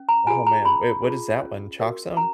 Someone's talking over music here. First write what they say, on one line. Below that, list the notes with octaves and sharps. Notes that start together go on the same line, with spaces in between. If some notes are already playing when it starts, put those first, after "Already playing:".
oh, man, wait, what is that one? Chalkzone?
Already playing: C#4
A#5
F4 G#4 G#5
A#5
C#4 B5
F4 G#4
C#4
F#4 A#4
C#4 A#5